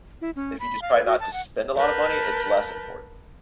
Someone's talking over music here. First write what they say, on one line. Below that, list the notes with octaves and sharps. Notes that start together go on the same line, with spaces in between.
if you just try not to spend a lotta money, it's less important.
E4
C#4
B5
F5
B4
F#4
A5
F#5
A#4 B4 A5 G6